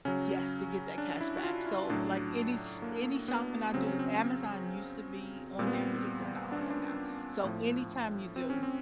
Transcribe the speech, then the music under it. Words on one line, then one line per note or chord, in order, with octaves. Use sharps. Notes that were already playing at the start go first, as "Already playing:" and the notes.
Yes, to get that cash back, so like any s any shopping I do Amazon used to be on there, but it they're not on there now, so anytime you do
C#3 F#3 C#4
D4
E4
F#4
F4
E4
A2 F#3 D4
A#3
B3
C#3 F#3 C4
C#4
C4
A#2 G3 C4
B3
C4
D4
C#4
D4
A2 F3
C4
C#4
C4